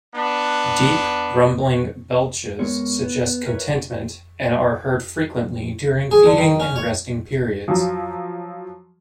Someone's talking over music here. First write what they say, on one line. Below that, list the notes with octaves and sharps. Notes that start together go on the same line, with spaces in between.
Deep, rumbling belches suggest contentment and are heard frequently during feeding and resting periods.
B3 D4
G#3 B3 A#4 C#5
B3
A#4 B4 C#5 E5
G#4
D3
D#3
C#4
C#5
F3 F#3